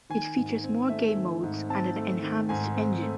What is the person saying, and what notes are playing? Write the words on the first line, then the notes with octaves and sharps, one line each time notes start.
It features more game modes and an enhanced engine.
D#3 G#5
G#2
C4
A3 E5
D#3
G#2
C4 A5
A3
D#3
G#2 G#5
C4
A3